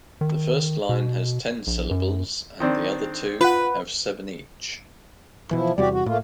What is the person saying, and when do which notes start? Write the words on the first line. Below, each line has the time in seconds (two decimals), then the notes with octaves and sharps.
The first line has ten syllables and the other two have seven each.
0.21 D#3
0.89 B2
1.67 A#1
1.91 F#2
2.60 D#3 C4 D4
3.41 F4 B4 F#5
5.51 B2 E3 F3 E4
5.78 E2 C3 G3 F#4 G4 D5
5.91 F#4
6.06 A2 A3 A#3 F4